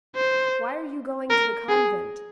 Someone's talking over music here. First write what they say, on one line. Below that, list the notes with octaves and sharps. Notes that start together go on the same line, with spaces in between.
"Why are you going to the convent?"
C5
A#4
G#4